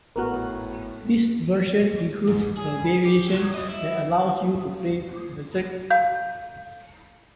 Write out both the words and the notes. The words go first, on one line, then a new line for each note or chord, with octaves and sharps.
This verison includes a variation that allows you to play "Berzerk".
G#1 A2 B3 F#4 A#4 F#6
G#2
G#4
G4
F#3
C#5 D#5
E4
F5 G6